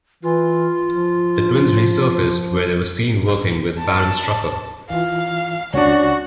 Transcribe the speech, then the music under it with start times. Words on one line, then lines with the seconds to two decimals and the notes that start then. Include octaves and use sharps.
The twins resurfaced, where they were seen working with Baron Strucker.
0.23 E3 F4
0.90 F3
3.78 A5
4.90 E3 F4 F5
5.74 C#2 C#4 D4 F#4